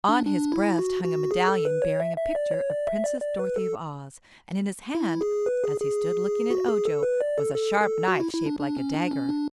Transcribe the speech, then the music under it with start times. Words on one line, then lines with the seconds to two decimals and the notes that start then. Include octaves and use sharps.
On his breast hung a medallion bearing a picture of Princess Dorothy of Oz, and in his hand, as he stood looking at Ojo, was a sharp knife shaped like a dagger.
0.09 D4
0.26 D4
0.52 E4
0.79 F#4
1.04 F#4
1.31 G#4
1.48 A4
1.65 B4
1.82 C#5
2.00 E5
2.17 E5
2.35 D5
2.51 C#5
2.70 D5
2.87 E5
3.04 D5
3.21 D5
3.39 B4
3.56 A4
4.95 E4
5.21 G#4
5.46 B4
5.64 G#4
5.81 G#4
6.50 F#4
6.68 G#4
6.85 A4
7.03 B4
7.21 D5
7.38 A4
7.55 A4
7.81 A4
8.08 F#4
8.20 E4
8.33 E4
8.46 D4
8.60 D4
8.77 C#4
8.94 D4
9.11 C#4
9.29 D4